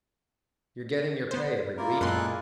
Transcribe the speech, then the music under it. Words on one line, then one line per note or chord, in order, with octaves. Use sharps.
You're getting your pay every week.
B3 C5
A#3 E4 F4 A#4 D5
F#2 A#2 G#3 A4 A#4 C6 F#6